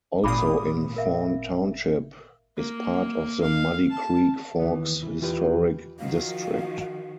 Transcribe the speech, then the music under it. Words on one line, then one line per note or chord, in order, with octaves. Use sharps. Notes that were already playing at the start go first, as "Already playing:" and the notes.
Also in Fawn Township is part of the Muddy Creek Forks Historic District.
G#1 A#2 B5 D6 D#6
A#4 E5 F5
A#3
F5
A5
D#2 E3 B3
E3
E2 E3 F4 G4 B4
D#3 F3 F#4 F5